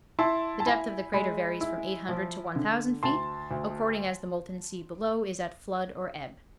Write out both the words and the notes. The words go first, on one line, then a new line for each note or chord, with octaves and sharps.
The depth of the crater varies from eight hundred to one thousand feet, according as the molten sea below is at flood or ebb.
E4 A5 C6
A5
E4 G#5 B5
G#3 G#5 B5
E4
F3
D3
D2 A5 C6
D2